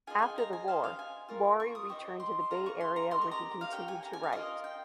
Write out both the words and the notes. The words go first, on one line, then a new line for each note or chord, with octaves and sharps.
After the war, Mori returned to the Bay Area where he continued to write.
F4 G#4 D#5 G#5
G5
G#5
A#5
G#5
G4 C5 D#5 F5
F5
G#5
F4 A#4 C#5
C#6
D#6
G4 C5 D#5 C#6
C6
F4 G#4 C#5 A#5
C#6
C6
A#5
G4 A#4 D#5 C6
C#6
A#5
F5
G4 C#5 G5
G#5
A#5
G#5
F5
F4 A#4 C#5 D#5
G5